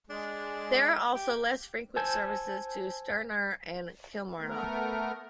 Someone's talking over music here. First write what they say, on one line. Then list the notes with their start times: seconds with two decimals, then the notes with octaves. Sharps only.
There are also less frequent services to Stranraer, and Kilmarnock.
0.10 G#3 D4
1.15 G4
1.96 C5 G#5 A5 E6 G6 G#6
4.39 A3 B3 A#4